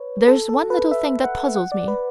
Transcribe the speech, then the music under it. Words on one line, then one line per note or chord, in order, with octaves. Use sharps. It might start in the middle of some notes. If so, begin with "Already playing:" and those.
But there's one little thing that puzzles me.
Already playing: B4 C#5
A4
A4
B4
E5
F#5
F#5
D5
B4